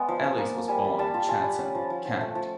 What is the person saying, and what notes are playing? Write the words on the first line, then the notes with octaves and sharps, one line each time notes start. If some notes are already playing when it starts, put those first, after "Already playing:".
Ellis was born in Chatham, Kent.
Already playing: G#3 B3 D5
F3
F3
A#3
A#3
G3 G#5
G3
G3 A5
F4 A5
F4 G#5
G3 F#5
C#4
F3
F3
F3
A3
F3